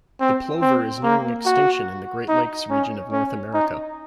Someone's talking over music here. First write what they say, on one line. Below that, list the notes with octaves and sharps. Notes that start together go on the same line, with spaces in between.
The plover is nearing extinction in the Great Lakes region of North America.
C4
C4
A#3
F#4
D#4
C#4
C#4
D#4